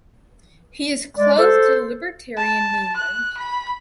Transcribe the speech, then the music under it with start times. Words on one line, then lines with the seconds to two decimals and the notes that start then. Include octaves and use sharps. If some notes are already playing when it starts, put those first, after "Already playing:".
He is close to the libertarian movement.
1.17 G#3 D5
1.38 A4 C5
2.37 A5
2.96 F#6
3.38 B5